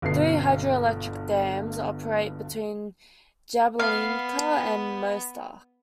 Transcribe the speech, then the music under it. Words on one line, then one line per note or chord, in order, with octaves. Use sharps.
Three hydroelectric dams operate between Jablanica and Mostar.
G1 G2 B2 A3 B3 C7
B3 F5